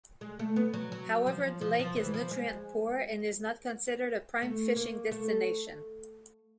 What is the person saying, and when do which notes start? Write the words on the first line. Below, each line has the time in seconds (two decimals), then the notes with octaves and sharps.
However, the lake is nutrient-poor and is not considered a prime fishing destination.
0.21 G#3
0.39 A3
0.56 B3
0.74 F#3
0.92 F#3
1.27 F3
1.61 F3
1.79 F3
1.96 E3
2.14 F3
2.31 G#3
4.42 A3
4.76 A#3
5.11 A3